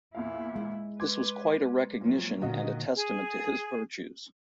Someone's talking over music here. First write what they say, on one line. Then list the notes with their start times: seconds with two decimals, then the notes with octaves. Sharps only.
This was quite a recognition and a testament to his virtues.
0.15 E2 A#2 E4 F5
0.56 G#3
1.00 B4 C6 D6 G#6
2.01 A#2 F3 F#3
2.42 A#2 D3 D#3 F#4 D#5 F5
2.96 G#4